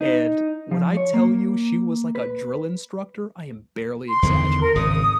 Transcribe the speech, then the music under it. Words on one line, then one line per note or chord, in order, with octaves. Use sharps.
and when I tell you she was like a drill instructor, I am barely exaggerating.
D#4
F3
C#5
A#3
B4
C6
E2 D3 D#3
A#4
G#1 C#3 D#6